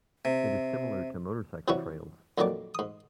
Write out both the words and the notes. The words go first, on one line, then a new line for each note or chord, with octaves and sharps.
It is similar to motorcycle trials.
C3
C3 E3 G3 C#4 E4 F#4
F2 A#2 D#3 F#3 D5 D6
G#2 D#6